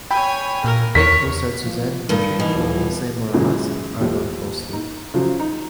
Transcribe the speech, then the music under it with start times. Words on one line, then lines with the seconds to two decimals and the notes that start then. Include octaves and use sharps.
The play co-starred Suzanne Bertish, Esai Morales and Arnold Vosloo.
0.11 C#5 G5 G#5 B5
0.64 A#2 A#4
0.95 E2 A#4 C#5 C#6 B6
1.66 F3
2.09 G2 D#3
2.40 B2 D#3 E3 D#5
2.54 D#1 F3
3.33 F#2 A#2 C#3 E3 G#3
4.00 D#2 F3 G3
4.73 D#4
5.14 C#3 F3 F#3
5.40 D#4